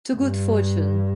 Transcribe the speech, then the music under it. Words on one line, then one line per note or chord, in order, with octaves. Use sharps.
To good fortune.
G2